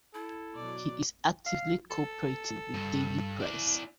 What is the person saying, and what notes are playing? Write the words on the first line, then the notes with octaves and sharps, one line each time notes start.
He is actively cooperating with the daily press.
E4 A4
B2 F#3 D5
F5
A4
G2
E4 D5